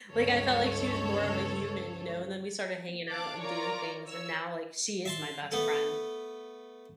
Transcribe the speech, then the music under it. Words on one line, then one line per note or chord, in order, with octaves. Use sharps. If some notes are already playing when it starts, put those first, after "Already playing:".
Like I felt like she was more of a human, you know? And then we started hanging out and doing things, and now like she is my best friend.
G1 C#2 A4 C#5
F5 A5 D6 F#6
F4 A#4 C#5 D5 A#5 D6
C#5 E6
E5 A5 C6
A3 B3 A4